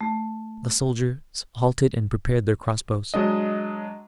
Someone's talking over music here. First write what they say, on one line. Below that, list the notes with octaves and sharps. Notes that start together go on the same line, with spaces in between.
The soldiers halted and prepared their crossbows.
A3
F#3 G#3 D4 D#5